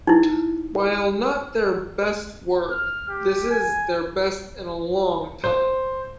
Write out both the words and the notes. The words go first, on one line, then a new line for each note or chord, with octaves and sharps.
While not their best work, this is their best in a long time.
D#4 E4
F6
G4
G#5
C5